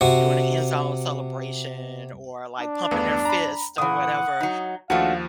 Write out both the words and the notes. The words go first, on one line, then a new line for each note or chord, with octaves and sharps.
doing an end zone celebration or, like, pumping their fist or whatever
C3 F#4
D4
E2 G2 A3 B3
A#5 B5
A#2 E3 F#5 D#6
F#3 D#4
D#2 F3 A3 D4 F#4 F5